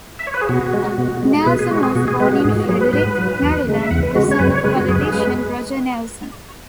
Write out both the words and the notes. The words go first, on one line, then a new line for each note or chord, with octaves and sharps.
Nelson was born in Frederick, Maryland, the son of politician Roger Nelson.
E5
C#5
B4
G#4
B2 F#4
G#3
B2
G#3
G#4
B2 B4
G#4
G#3 F#4
G#4
B2 F#4
G#4
G#3 B4
F#4
G#2 G#4
F#4
F#3 G#4
B4
G#2 B4
F#3
E2
C#3 G#3
E5
E2 F#5
B4
C#3 G#3 F#4
C#5
F#2 B4
C#5
C#3 G#3 B4
F#4
F#2 G#4
B4
G#4
G#3 B4